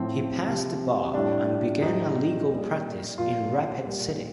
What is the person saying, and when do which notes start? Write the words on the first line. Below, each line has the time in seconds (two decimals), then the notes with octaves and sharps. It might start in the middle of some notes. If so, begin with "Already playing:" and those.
He passed the bar, and began a legal practice in Rapid City.
Already playing: A2 F3 C4
0.46 C3 F3
1.14 A2 G3 D4
1.82 A2 G3 D#4
2.50 A#2 G3
3.18 A#2 F3 F4
3.86 A#2 G3